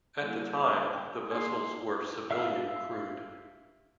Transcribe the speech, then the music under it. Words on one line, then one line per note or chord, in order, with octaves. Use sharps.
At the time the vessels were civilian crewed.
G3 A#3 E4
G5
A#3 D#4 G#4 C6
E5 F5 E6 F6